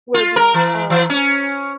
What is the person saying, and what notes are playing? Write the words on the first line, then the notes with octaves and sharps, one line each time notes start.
we're being, um,
F4
A#4
E3
E3
C#4